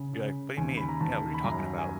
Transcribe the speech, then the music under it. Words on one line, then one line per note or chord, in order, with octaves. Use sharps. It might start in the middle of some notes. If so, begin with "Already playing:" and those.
You're like, "What do you mean? Yeah, what are you talking about?"
Already playing: C#3
C#3
D#2 G#5
B5
A#5
D#2 A5
B5
F#2 A#5
G#5